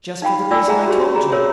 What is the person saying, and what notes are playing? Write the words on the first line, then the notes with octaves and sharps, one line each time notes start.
"Just for the reason I told you."
D#4 F5 G5 B5
F4 D5 G#5 B5 D6 E6
G#4 C5 E5 F#5 G#5 A#5
F#4 G4 C5 G#5
G#4 A#5 B5
A#4 C5 C#5 E5